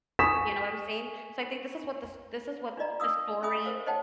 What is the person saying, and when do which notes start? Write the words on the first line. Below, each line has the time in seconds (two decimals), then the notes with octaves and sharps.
You know what I'm saying? So, I think this is what this this is what the story
0.19 G#5 C#6 D#6 B6 E7
2.77 D4 F4 D5 D#5 A#5
3.00 D4 B4 F5 D#6 E6
3.42 C#4 E5 G#5 B5 D#6
3.65 A#4 C5 F5
3.86 C5 C#5 D#5 F#5 G5 A5